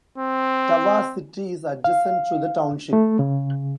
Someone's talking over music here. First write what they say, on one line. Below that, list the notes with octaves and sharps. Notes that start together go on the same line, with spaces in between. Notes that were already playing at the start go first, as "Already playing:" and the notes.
Tawas City is adjacent to the township.
C4
F5
A3
C#3